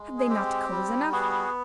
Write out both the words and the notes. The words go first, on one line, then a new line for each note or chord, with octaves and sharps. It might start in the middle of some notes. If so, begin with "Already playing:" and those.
Have they not cause enough?
Already playing: G#3
G#4
C4 G4
G3
B3 F#4 G#4